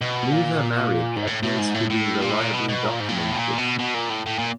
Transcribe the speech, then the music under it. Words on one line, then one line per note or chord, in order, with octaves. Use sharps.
Neither marriage appears to be reliably documented.
B2
A#2
G#2
A2
A2
G#2
A2
A2
A#2
A2
A#2
B2
B2
A#2
G#2
A#2
A2
B2
A#2
B2
B2
A#2
A2
A2
A#2